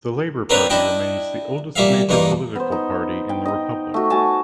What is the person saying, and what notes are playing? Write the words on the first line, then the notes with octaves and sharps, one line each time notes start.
The Labour Party remains the oldest major political party in the Republic.
A#3 C4 D4 A#4 B4 C#5
D4 E4 D#5 G5
A#2 G3 E5 F5
E2 G2 A#3 D#4
B3 C5
D#4
G5
D#4 D#5
A3 F#4
F#4 G#5 A5